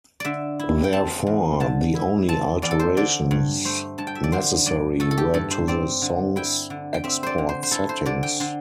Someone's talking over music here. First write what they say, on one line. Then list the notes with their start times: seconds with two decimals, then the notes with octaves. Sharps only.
Therefore, the only alterations necessary were to the songs' export settings.
0.20 D3 D5 E5
0.59 E4
0.84 G5
0.93 C4 A5
1.27 E2
1.60 D3 A5
1.95 E4
2.28 C4 A5
2.62 E2 D5
2.71 A4
2.79 C5
2.97 D3 D5
3.31 G2
3.65 A3 C5
3.98 G2 A5
4.07 G5
4.15 E5
4.24 D5
4.32 D3 C5
4.66 G2 D5
5.00 A3 A4
5.11 A4
5.18 G4
5.34 G2 A4
5.51 C5
5.68 C4 D5
6.02 D3
6.36 E4 G5
6.70 D3
6.94 G5
7.04 C4 E5
7.23 C5 D5
7.38 D3
7.49 C5
7.63 C5
7.71 E4 A4
7.89 C5
8.06 D3 D5
8.23 G5
8.40 D3 C6